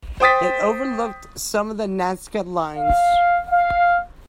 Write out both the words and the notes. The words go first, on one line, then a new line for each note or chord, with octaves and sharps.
It overlooked some of the Nazca lines.
C5 G5 D#6 A6 B6
F5
F5